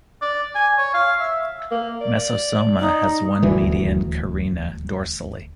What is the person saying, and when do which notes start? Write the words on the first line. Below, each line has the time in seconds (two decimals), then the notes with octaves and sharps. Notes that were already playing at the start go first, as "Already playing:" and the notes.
Mesosoma has one median carina dorsally.
0.22 D5
0.55 G#5
0.78 C#5
0.94 F5
1.20 E5
1.71 A#3
2.01 D5
2.80 D#4
3.42 D#1 D2 E3